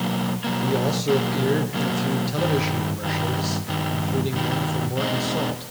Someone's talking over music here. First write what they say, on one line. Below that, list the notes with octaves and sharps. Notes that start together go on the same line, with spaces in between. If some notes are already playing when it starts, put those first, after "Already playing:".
He also appeared in a few television commercials, including one for Morton Salt.
Already playing: B2 F#3 A#3
B2 F#3 A#3
B2 F#3 A#3
B2 F#3 A#3
G2 D#3 G3
G2 D#3 G3
G2 D#3 G3
G2 D#3 G3
E2 B2 G#3 C4 D#4